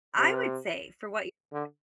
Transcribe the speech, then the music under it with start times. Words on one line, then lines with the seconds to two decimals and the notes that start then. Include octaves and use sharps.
I would say for what you're
0.18 C3
1.53 D3